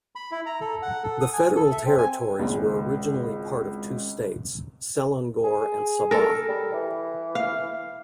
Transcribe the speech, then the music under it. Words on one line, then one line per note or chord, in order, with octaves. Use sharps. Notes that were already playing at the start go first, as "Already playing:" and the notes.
The federal territories were originally part of two states - Selangor and Sabah.
B5
E4
A#5
A4
F#5
A4
D#6
G#5
A4
E5
C4
G#5
G#1 C#2
G#4
A4 A#4
G3
E3
F5